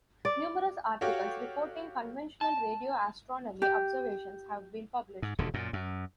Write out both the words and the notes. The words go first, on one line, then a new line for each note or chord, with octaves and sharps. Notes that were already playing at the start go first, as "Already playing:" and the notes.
Numerous articles reporting conventional radio astronomy observations have been published.
D5
F#4 G4 A4 C#5 F5 G5
A5
G4
G#2
D#1 D2 D3
F#2 A#2
F#2